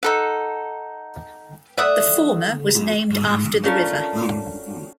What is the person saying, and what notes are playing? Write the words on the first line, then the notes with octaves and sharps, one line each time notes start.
The former was named after the river.
D#4 A4 F#5
A3 D5 E5 F#5 D#6
A3 C#4 D4 F4 A#4